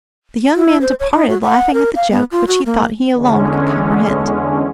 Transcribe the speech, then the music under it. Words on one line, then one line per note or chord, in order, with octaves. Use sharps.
The young man departed, laughing at the joke, which he thought he alone could comprehend.
E4
C5
C#5
D#4
F#4
F#5
A#4
F5
B3
F4
F#4
A#3
E2 D3 G#3 C#4